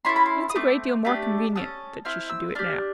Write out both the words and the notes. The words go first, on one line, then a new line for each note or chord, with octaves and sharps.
It's a great deal more convenient that she should do it now.
C#4 E4 A4 C6
B5
C6
D#6
A3 C4 D6
A3 D4 G4
C#4 F#4 A4 D#6
C4 E4 F6
E6
D4 G4 F6